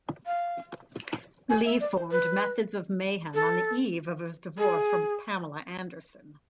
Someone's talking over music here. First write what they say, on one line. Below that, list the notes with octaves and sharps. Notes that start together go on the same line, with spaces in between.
Lee formed Methods of Mayhem on the eve of his divorce from Pamela Anderson.
F5
G#5
E5
D5
C5
B4
A4
G#4